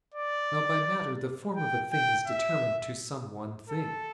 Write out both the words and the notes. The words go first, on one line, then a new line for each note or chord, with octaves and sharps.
Now by matter the form of a thing is determined to some one thing.
D5
G5
G5
E5
A4